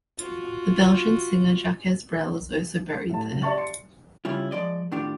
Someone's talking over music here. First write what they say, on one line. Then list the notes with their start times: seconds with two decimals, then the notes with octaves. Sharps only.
The Belgian singer Jacques Brel is also buried there.
0.18 F4 F#4
3.10 A2 A5
3.30 C#2 F#3
3.42 D5 E5 A5 C#6 A6
3.57 C6 C#7
4.25 C#3 G3 C#4 E4 F4
4.51 F3 G#3 D5 D#5
4.92 A2 D#3 D4 F4 G4